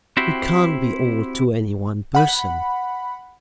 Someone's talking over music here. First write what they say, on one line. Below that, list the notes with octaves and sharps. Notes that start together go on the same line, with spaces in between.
We can't be all to any one person.
C4 E4 F#4 G4 C5
F#5 B5